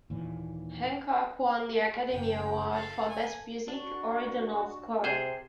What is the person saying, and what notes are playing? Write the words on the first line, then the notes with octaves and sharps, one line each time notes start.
Hancock won the Academy Award for Best Music, Original Score.
D#2 A#2 E3
F#1 G5
A4 F5
G#5
D4 F#4
C3 G#4 C5